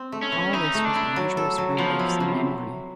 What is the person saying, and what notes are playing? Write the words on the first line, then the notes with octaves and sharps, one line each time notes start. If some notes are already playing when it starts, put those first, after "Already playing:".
All this was the usual scramble of Sunday morning.
Already playing: C4
A3
C#4
E3
D#4 E4
A3
D4
E4
F#3
A4
F#3
F3 B3
E4
F#3
C3